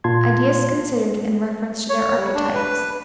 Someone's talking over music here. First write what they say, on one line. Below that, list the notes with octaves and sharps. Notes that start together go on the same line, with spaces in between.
Ideas considered in reference to their Archetypes.
A#2 F4 A5 C6 G#6
C#5
G3
D4
B4